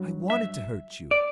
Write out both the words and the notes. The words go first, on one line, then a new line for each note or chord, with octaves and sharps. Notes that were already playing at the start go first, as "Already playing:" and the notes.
I wanted to hurt you.
Already playing: G2 F#3
E5
D5